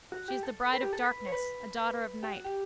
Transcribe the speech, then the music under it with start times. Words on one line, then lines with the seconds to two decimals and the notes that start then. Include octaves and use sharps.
She is the bride of darkness, a daughter of night.
0.12 F#4
0.28 G4
0.43 A4
0.73 B4
0.83 G4
0.93 A4
1.03 B4
1.27 C#5
1.32 B4
2.23 G4
2.33 F#4
2.44 G4